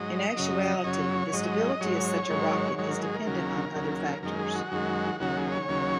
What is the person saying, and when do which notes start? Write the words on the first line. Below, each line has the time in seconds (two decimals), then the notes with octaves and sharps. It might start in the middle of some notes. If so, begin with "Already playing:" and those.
In actuality, the stability of such a rocket is dependent on other factors.
Already playing: G#2 F#3 D#5
0.36 F#2 C#3 F#3
0.84 F#2 C#3 F#3 C#5
1.33 G#2 F#3 D#5
1.81 G#2 F#3 C#5
2.30 G#2 D#3 F#3
2.78 G#2 D#3 F#3 C#5
2.90 A#4
3.03 G#4
3.14 A#4
3.26 D#2 C#3 F#3
3.75 D#2 C#3 F#3
4.23 F#2 D#3 G#3 A#4
4.39 G#4
4.55 F#4
4.72 F#2 D#3 G#3
5.20 D#2 C#3 F#3 F#4
5.37 G#4
5.52 C#5
5.68 D#2 C#3 F#3